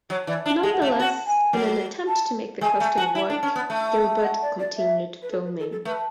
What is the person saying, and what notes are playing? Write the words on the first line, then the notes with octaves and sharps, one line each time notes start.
Nonetheless, in an attempt to make the casting work, Gilbert continued filming.
F#3 C#5
E3 D5
D4 E5
G#3
F#5
A3
F#4 F#5
G#5
F#3
A5
G#3 G#5
A3
F#4
E4
D4
C#4
B3
A3
F#5
D5
D5
E5
B4
A4
B4
A4
A4
A3 B4